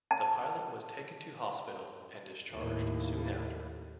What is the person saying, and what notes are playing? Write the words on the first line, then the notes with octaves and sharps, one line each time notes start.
The pilot was taken to hospital and discharged soon after.
A5
D#2 A2